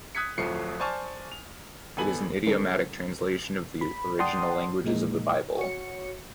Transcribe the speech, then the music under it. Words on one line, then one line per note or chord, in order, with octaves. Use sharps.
It is an idiomatic translation of the original languages of the Bible.
D#6 F#6 G#6 B6 C#7
D1 F2 F3 A3 C7 C#7
C5 D5 G#5 A5 C#6 F6
F7
G#1 B3 A4 G#5 B5 F#7
D3 F#3 G3 C#4 A4 A#4
B5
D5 F#5 G5 A5 C6 D#6
A#2 F3 G#3 A#3 D#4
F#4 C#5 C#7